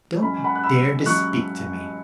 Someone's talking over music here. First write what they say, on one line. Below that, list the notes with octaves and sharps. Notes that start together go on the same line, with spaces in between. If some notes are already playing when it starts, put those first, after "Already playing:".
"Don't dare to speak to me."
G#2 F#3 C#4 B5
G#5
F#5 B5
F#6
B5 E6
G#2 F#3 C#4 C#6 F#6